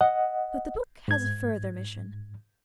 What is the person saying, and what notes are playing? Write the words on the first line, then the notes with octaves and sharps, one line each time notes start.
But the book has a further mission.
D#5 F#5
G#2 G#6